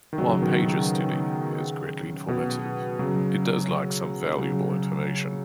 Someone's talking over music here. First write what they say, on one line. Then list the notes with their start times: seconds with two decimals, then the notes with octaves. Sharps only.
While Pager's study is greatly informative, it does lack some valuable information.
0.13 D#3
0.18 C#3 F#3
0.42 B2 D#3
0.65 C#3
2.28 B2
2.99 C#3 F#3
4.38 C#3 F#3